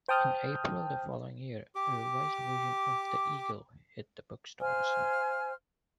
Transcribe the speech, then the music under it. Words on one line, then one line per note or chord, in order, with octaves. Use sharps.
In April the following year, a revised version of the "Eagle" hit the bookstalls.
C5 G5 A5 D#6 F6 G6
G4 D6
C5 F5 G#5 F6